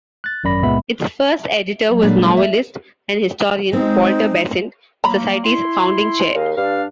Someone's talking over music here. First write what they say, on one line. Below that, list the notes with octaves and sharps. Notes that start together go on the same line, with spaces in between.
Its first editor was novelist and historian Walter Besant, the Society's founding Chair.
F#6 A6
G#1 F#2 D5 B5 A#6
C#2 A#2 G#3 B3 E5 B5
F#3
A#2 G3 G#3 A#3 D4 A4
E5
G#3 C4 D#4
F#3 A#3 A#5 B5
E4 C6
D#2 G#4 D#5 F5
G2 D4 F5